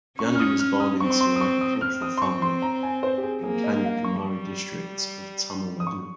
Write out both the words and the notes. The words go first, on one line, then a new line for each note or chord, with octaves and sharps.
Gandhi was born into an agricultural family in Kanyakumari district of Tamil Nadu.
C#4 C#6
F6
D#6
F6
D#6
C4 C#6
C#6
C6
D#6
C#6
D#6
C4 F6
D#6
C6
C#6
C6
A#5
G#5
C5
G4
G#4
A#3 G#4
D#5
F5
C#6
G3
D#6
C#6